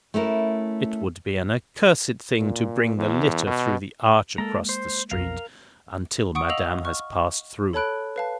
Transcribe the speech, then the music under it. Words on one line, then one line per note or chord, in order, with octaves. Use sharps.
It would be an accursed thing to bring the litter through the arch across the street, until Madame has passed through.
A3 C#4 E4 A#4
A#2
E2
B2
G#3 A#3 A4 A#4 A#5
C5
B1 F2 A#4 F5
F#5 C#6 D#6 D7
D#5 F5 E6 F7 F#7
C#6 F6
A4 C#5 A5 B5 F#6 D7
B4 F5 A5